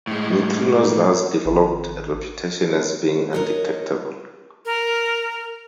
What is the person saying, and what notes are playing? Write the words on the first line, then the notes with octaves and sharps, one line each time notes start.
Neutrinos thus developed a reputation as being undetectable.
A2 G#3
G#1
A#4 C#5 D#5
A#4